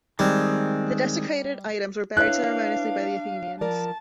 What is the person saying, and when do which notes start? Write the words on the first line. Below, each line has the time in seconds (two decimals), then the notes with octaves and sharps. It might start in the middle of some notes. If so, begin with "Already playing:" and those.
The desecrated items were buried ceremoniously by the Athenians.
0.19 D#3 G3 G#3 C4
2.17 D4 E4 B4 C#5 F5 F#6
3.61 F3 A#4 D5 A5